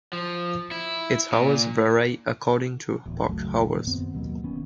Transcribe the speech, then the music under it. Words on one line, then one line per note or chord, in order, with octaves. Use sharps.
Its hours vary according to park hours.
F3
E4
A#2
D1 E2
F#1 C#2 F#3 A3
E2 A#2
F#2 D#3 B3 C4
D#2 B2 F#3 A#3
E1 D#3 B3 C#4